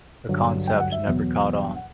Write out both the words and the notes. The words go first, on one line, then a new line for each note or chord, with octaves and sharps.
The concept never caught on.
G2 D3 F#3
G5
F#5
E5
E2 B2 F#3
G5
F#5